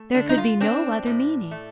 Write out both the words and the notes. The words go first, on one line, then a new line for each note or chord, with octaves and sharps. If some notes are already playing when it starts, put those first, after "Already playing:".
There could be no other meaning.
Already playing: A3
D3 D4
D#4
F4
C4 D4
A2
A3